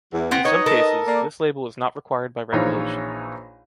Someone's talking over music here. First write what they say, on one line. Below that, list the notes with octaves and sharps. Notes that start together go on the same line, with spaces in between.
In some cases,this label is not required by regulation.
E2 E3
B3 C4
D#4 B4 C#5 D#5
A4 A#4
A#3 D5
A#1 E3 F3 D#4 F4 C#5